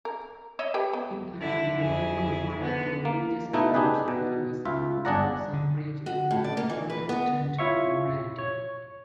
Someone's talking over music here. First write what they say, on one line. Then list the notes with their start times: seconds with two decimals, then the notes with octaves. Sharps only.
It advocated equal funding for religious schools, universal suffrage and Protestant morality.
0.05 A#4
0.59 C#5 D#5 E5
0.74 G4 B4 G5
0.93 B3
1.40 D3 E4
1.81 F2 E4 G#4
2.58 D3 B3
3.05 A#3
3.53 B2 A3 D#4 E4
3.74 D4 D#4 G4 G#4 B4
4.08 B2
4.65 C#2 F4 E5
5.05 G1 D4 G#4 D5 F#5 A#5
5.53 D3
6.06 F#4
6.31 A2
6.44 D5
6.57 A#3
6.70 E3
6.90 B4
7.09 B3
7.59 E4 F4 C#5 E5 F5 C#6
8.38 C#5